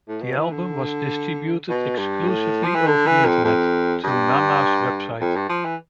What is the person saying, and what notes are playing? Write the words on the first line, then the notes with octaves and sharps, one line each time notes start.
The album was distributed exclusively over the Internet, through Nana's website.
A2
B2
E3
D3
B2
G2
A2
F3
E3
D3
E3
F2
F2
G2
F2
G2
F3
E3